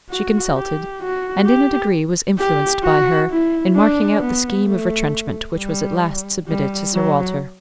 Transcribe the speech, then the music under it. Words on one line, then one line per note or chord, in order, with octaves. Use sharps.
She consulted, and in a degree was influenced by her in marking out the scheme of retrenchment which was at last submitted to Sir Walter.
F#4
G4
F#4
G4
G4
F#4
E4
D4
B3
A3
G3
G3
F#3